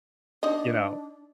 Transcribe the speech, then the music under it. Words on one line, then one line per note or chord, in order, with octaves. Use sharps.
you know?
D4 D#4 D#5